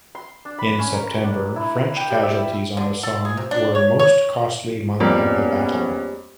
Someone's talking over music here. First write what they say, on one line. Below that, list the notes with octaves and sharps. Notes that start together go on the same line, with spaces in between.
In September French casualties on the Somme were most costly month of the battle.
C6
D4
B5
C#4
A#4
D4
E4
C6
G5
G3
E5
D3
A4
G#4
C3
D4
C#5
C#5
F2 G3 G#3 A#3 B3 C#4